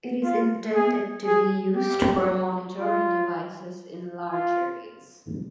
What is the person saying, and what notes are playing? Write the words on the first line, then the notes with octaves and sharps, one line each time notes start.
It is intended to be used for monitoring devices in large areas.
F4
G#4
G#4
G4
F4
F4